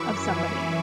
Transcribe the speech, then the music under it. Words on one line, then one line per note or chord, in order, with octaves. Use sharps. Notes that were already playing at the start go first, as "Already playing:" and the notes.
of somebody.
Already playing: F#2 E3 B5 C#6 D6 E6
E5 G#5